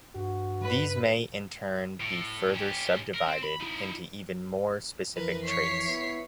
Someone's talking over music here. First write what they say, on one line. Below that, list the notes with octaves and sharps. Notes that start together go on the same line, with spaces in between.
These may in turn be further subdivided into even more specific traits.
G2 F#4
B4
A2
C#4 G4
A#4
C4
B5
D#4 E4
F2 E3 A#4 B4
C#5 B6 C7
B3 E4